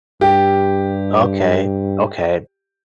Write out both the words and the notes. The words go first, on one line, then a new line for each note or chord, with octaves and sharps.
Okay. Okay.
G2 G4